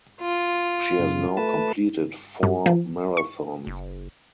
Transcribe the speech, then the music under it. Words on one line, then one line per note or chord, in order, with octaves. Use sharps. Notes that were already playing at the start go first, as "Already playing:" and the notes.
She has now completed four marathons.
F4
F#2 C#3
A3 B4 A5
G2
F3
C#6
F#1